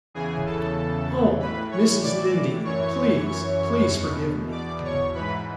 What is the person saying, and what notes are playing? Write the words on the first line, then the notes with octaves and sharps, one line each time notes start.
Oh, Mrs. Lynde, please, please, forgive me.
E2 C#3 E3 G#4 G#5
A4 A5
A2 E3 B4 B5
C#5 C#6
D5 D6
F#2 E3 C#5 C#6
E2 B2
D5 D6
C#5 C#6
G#2 E3 B4 B5